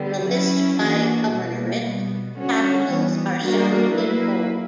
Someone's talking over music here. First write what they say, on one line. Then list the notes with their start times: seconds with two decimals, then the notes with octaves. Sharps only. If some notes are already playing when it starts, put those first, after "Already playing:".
In the list by governorate capitals are shown in bold.
Already playing: D3 G3 B3
0.27 F#3 C#4 E4
0.80 E3 A#3 D4 F#4
1.32 B2 G3 A#3
1.84 B2 G3 B3
2.37 D3 G3 C#4 F#4 C#5
2.89 E3 G3 B3
3.42 G3 A#3 D4 F#4 A#4
3.95 F#3 A#3 E4 B4